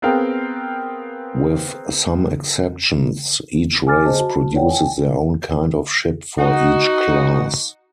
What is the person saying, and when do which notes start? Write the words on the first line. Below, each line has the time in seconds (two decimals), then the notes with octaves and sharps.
With some exceptions, each race produces their own kind of ship for each class.
0.02 B3 C4 G#4 A#4 F5 G5
3.87 G#5 D6 F6 A6
4.05 G#4 C5 D#5 A5
4.19 F#4 A5
4.53 F4 B4 C#5 D5 F#5 G5
4.69 G5 G#5
6.38 D#4 F#4